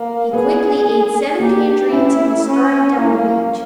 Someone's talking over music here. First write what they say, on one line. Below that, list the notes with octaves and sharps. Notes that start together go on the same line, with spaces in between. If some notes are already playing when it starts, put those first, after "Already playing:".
He quickly ate seven tangerines and started down the beach.
Already playing: A#3
B3 G#4
A#3 G4
C#4 E4
C#4
A#3 E4